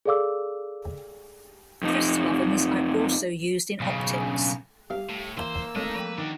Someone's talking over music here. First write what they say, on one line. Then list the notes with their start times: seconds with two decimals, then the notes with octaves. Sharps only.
Crystal ovens are also used in optics.
0.05 G#4 A4 D5 F5 D6 E6
1.83 F2 D#4
3.80 B1 C#3
4.90 G3 G4 F5
5.09 A2
5.37 E3 A#3 C5 E6
5.76 G#3 A3 C4 A#4 C#5 D#5
5.95 F3 B4 G5
6.18 D#3 D4 F#4